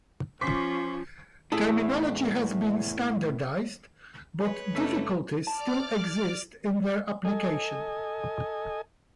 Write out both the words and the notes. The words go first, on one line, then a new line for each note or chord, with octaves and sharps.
Terminology has been standardized but difficulties still exist in their application.
F3 C#4 C5 C#6 D6 B6
E2 A2 E4 G#4 A4
G#4 B4 C#5
F#1 A3 C#4 D#4 E6 B6
D5 A5 D6 F6
A4 D#5 G#5